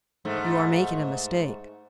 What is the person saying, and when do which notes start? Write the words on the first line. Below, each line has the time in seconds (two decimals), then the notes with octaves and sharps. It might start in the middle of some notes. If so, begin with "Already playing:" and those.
"You are making a mistake."
0.25 G#2 A3